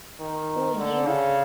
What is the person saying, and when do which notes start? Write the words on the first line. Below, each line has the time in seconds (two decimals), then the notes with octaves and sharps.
Would you?
0.20 D#3
0.78 D3
1.07 C#3